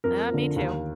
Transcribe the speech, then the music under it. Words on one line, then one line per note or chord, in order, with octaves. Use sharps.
Uh, me too.
F2 A#4
D3 F3
D#2